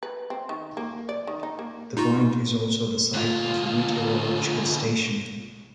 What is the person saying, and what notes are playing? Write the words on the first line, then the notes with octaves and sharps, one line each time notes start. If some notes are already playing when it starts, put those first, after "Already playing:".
The point is also the site of a meteorological station.
B4
C4
D#3
A#3
D5
D#3
D#4
A#3
D#4 F4 F#4
D2 F4